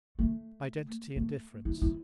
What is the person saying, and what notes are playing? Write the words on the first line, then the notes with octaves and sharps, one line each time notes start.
Identity and Difference.
A3
A3
E4
E4